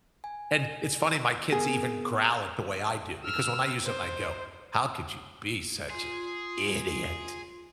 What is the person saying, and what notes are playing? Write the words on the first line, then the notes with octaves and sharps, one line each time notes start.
and it's funny my kids even growl at the way I do, because when I use it and I go, "How could you be such an idiot?"
G#5
B3 G#4 A#4
E6 F6
C5
F4 G#4 C6